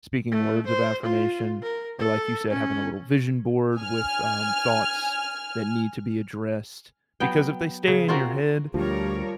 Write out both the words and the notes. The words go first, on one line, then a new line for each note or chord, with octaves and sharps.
speaking words of affirmation, or like you said, having a little vision board with, um, thoughts that need to be addressed, because if they stay in your head,
A3
C5
F4
A#4
A4
C#4
G#5 F6
F#3 B3 G5
C#3
C4 F4 F#4 A#4
D2 F3 G3 G4 A#4 C#5